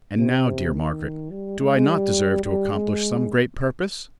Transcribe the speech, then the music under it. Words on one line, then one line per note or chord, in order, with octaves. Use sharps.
And now, dear Margaret, do I not deserve to accomplish some great purpose?
C3
D#3
G3
G#3
G3
G3
G#3